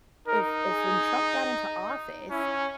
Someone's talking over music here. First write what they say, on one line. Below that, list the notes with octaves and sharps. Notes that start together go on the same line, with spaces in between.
if if when Trump got into office,
D#4 A#4
G#4
C#4 E4